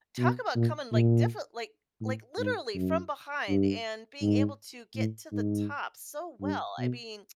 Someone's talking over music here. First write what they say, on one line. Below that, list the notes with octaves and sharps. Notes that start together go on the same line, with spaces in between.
talk about coming like, different like like, literally from behind and being able to get to the top so well, I mean,
B2
A#2
A#2
A2
G#2
F#2
G2
G#2
A2
G#2
G2
B2